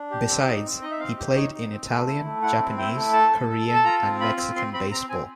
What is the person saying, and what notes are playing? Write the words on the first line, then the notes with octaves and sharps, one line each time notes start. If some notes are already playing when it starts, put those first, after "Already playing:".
Besides, he played in Italian, Japanese, Korean and Mexican baseball.
Already playing: D4
G4
C4
D#4
C4
D#4 D#5
E5
C4 F5
G4
D#4 C#5
D#4
C4
A3
E4
A3
E4 F#5
C4
E4 G5
A3
A4 A5
A4
A4
A4
A5
F4 A#5
C4
F4 B5
C4
C4 C6
C4 B5
C4 A#5
C4 G#5